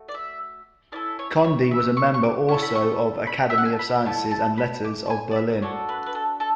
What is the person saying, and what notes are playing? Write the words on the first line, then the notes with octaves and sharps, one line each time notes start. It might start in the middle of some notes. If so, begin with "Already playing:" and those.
Conde was a member also of Academy of Sciences and Letters of Berlin.
Already playing: A3 F#4
D5
E5
C#4 E4 A4 D5
C#5
C#5
E5
C#6
C#6
D6
C#4 E4 A4 C#6
B5
C#6
B5
E5
F#5
G#5
A5
B5
A3 C#4 E4 A5
A5
B5
D6
A5
G#5
D5
E5
D4 F#4 A4 C#5
B4
B4
A4
A4